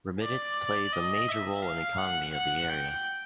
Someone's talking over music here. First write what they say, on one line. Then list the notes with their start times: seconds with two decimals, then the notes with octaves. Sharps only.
Remittance plays a major role in economy of the area.
0.23 D5
0.93 D#5
1.29 E5
1.65 F5
1.99 F#5
2.34 F#5
2.70 G5